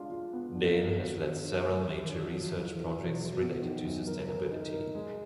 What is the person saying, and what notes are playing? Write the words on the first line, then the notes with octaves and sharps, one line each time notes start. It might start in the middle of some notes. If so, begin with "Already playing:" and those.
Dale has led several major research projects related to sustainability.
Already playing: G#3 D4 F4
F4
B3
D4
A#4
F#4
D4
D4
A3
F#3
D4
F#3
E2
E2
B2
F#3
B3
D#3
F#2
A#4
A#4
D#4
A#4
G#3